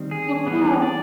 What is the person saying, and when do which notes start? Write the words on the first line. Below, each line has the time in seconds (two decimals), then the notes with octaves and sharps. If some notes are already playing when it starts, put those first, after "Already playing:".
Oh, cool.
Already playing: D#3 G3 C4
0.11 G#4
0.46 E3 G3 B3 G#4
0.82 D5